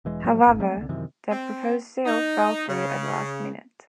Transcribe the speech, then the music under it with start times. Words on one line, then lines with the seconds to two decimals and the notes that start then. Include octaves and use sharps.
However, the proposed deal fell through at the last minute.
0.05 E1 E3 G#3
0.24 G#2 F3 F#3 G#3
0.47 D#1 G#1
0.60 F#3 G#3 A3 C4
0.77 C2 D3
0.89 F#2 C3 D#3 E3
1.31 C4
2.06 D#4
2.68 C#3